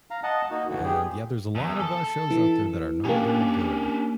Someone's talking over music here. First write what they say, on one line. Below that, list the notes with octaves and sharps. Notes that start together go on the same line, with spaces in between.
And, yeah, there's a lot of, uh, shows out there that are not very good,
F5 A#5
D#5 F#5 A5
A#3 D#4 F#4
A2 D3 E3 F#4
B3 G4 G#4
A#2
E2
A4 A5
E3
A#3 C#4 D4 G4